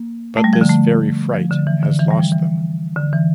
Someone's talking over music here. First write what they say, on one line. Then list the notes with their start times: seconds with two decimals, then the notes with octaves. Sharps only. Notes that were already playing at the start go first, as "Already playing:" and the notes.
But this very fright has lost them.
Already playing: A#3
0.37 A3
0.44 G3
0.53 F3
0.61 D3
0.69 A3
1.34 F3
1.50 D3
1.67 E3
1.83 D3
1.99 E3
2.11 G3
2.20 F3
2.32 E3
2.96 D3
3.13 E3